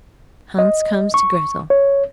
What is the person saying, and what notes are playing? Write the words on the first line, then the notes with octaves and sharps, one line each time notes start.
Hans comes to Grettel.
D#5
C#6
C#5